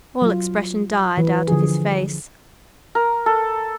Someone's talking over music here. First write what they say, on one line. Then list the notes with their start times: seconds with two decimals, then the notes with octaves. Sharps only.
All expression died out of his face.
0.22 F#3 F4
1.17 E3 B4
1.48 D3 F3 G#4
2.95 A#4
3.26 A4